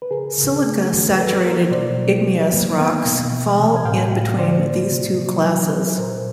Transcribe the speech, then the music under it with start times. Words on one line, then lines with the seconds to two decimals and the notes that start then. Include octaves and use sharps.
Silica-saturated igneous rocks fall in between these two classes.
0.02 B4
0.11 C#3 G#4 A#4
0.38 C#3
0.65 A3
0.92 D#3
1.17 F#3 A4 B4
1.45 A#3 A#4 C5
1.71 B2 C5 D5
1.98 F#3
2.25 F#3
2.52 A#3
2.78 B3 F5 G5
3.05 B2
3.32 E3
3.58 C3
3.76 G#5
3.84 A2 F5 G5
4.11 A2
4.38 D3 C5 D5
4.65 A#3
4.92 C3
5.18 F#3
5.44 F#3
5.71 F#3
5.98 A#2 A#4 C5